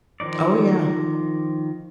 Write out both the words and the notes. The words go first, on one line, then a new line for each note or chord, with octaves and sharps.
Oh, yeah.
D#3 F3 D#4 D5